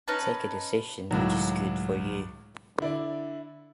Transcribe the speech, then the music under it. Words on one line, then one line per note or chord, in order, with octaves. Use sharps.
Take a decision which is good for you.
C#4 D#4 B4 A5
C#2 A2 D#3 F#3
D3 E4 D5